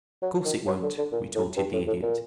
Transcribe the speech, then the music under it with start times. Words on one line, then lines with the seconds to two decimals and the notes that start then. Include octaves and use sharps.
"Of course it won't," retorted the Idiot.
0.22 F#3
0.45 D#3
0.67 F#3
0.82 D3
0.98 D3
1.12 A#2
1.35 A2
1.57 G2
1.73 A2
1.87 A2
2.02 A#2